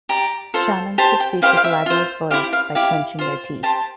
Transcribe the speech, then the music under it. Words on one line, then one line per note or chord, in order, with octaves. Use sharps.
Shamans could speak with Lagua's voice by clenching their teeth.
G4 D5 A#5
F4 A4 C5
G4 C5 A5
G5
E4 G4 C5 F5
F5
E5
F4 C5
E4 G4 C5 F5
F5
E4 G4 D5 F5
F4 C5
G4 C5 A5